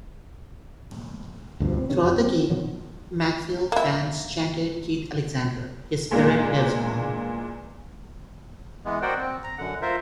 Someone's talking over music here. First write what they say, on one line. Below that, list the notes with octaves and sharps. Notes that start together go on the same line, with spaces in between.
Throughout the game, Macclesfield fans chanted "Keith Alexander, his spirit lives on".
D2 G2 B2 F3
C4
C3 D#3 C#4
F2
C4
B2 D#3 F#3
A#3 E4
E2 A#2 G#3 A#3 D4
E3 G#3 B3
F#4 A#4 C5 D5 F#5 G5
C4
A#5
F#2 D3 F#5
F4 A#4 C5 E5